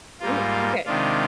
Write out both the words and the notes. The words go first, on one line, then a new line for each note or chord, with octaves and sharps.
Ooh, okay.
G#2 G3 A#3 F4
C3 D#3 G#3 D4 F4